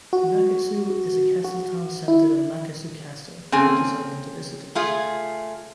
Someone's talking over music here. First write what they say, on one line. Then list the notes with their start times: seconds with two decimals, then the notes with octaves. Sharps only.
Nakatsu is a castle town centered on Nakatsu Castle, which is open to visitors.
0.13 F#4
1.45 F#4
2.08 E4
3.52 C#3 A#3 C4 A4 G#5
4.75 A3 F4 G#4